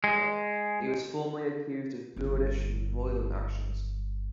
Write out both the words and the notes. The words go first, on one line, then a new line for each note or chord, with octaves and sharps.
He was formally accused of boorish and violent actions.
G#3
G1 G2